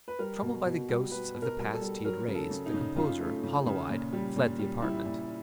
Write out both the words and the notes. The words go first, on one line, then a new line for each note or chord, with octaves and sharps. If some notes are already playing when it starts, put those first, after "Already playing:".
Troubled by the ghosts of the past he had raised, the composer, hollow eyed, fled the apartment.
B4
G3 A#4
B2
B2
G3
G3 B4
B2
A#4
G3
A4
G3
F#3 A#4
C#3
A4
C#3
D#4
C#3
C#3 F4
A3
C#3
C#3
A#2
G3
A#2
G3
G3 E4
A#2